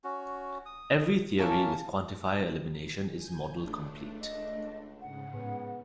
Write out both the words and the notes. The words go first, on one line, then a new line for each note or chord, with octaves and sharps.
Every theory with quantifier elimination is model complete.
C#4 F#4
D#6
A#3 C#4 A4 A#4 E5 A5
G#5 G6
C#2 A3 D4
D#5
G#2 C#3 F#5
A2 B3